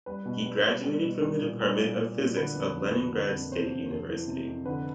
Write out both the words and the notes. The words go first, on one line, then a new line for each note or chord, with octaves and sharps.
He graduated from the Department of Physics of Leningrad State University.
G3 B4
B2
G3
B2
G3
B2
G3
A#2
G3
A#2
G3
A#2
D3 B4
F2
F2
F3
D3
F2
C3 C5
F2
F2
E3
C3
F2
D3 B4